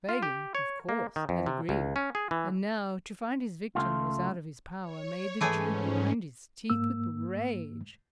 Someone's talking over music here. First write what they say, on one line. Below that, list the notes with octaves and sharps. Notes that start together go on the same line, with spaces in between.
Fagin, of course, had agreed, and now, to find his victim was out of his power made the Jew grind his teeth with rage.
F4
G4
C#5
A#3
D#3
F2
C3
C#2
C#4
G#4
E3
C#2 A3 F4
C#5
G#2 E3 A3 C#4 G#4
G#2 A#3 E6